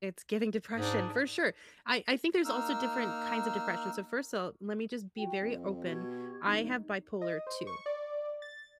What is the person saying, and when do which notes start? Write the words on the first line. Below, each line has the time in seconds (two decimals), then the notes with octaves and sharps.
it's giving depression," for sure, I I think there's also different kinds of depression, so first of all, let me just be very open, I have bipolar II,
0.76 G#2 D4 G#4
2.44 A#3 D#4 E6 F6
5.17 F4 F#4 G5
5.41 F2 D#5
5.85 B2 G4 C#6 G#6
6.45 D1 D#4
7.22 D#5
7.47 C5
7.67 C#6
7.86 D5
8.42 A6